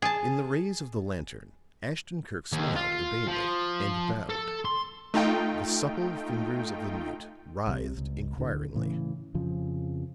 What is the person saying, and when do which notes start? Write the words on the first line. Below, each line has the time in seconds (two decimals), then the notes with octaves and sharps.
In the rays of the lantern Ashton-Kirk smiled urbanely, and bowed. The supple fingers of the mute writhed inquiringly.
0.02 G#4 A5
2.52 D#2
2.76 F4
3.28 F3
4.30 A4
4.65 C6
5.14 A3 D#4 F4 G5
7.68 C2 C3
7.97 C#2
8.38 D2 A2 D3
8.75 A2 C#3 E3
9.34 F2 C#3 F3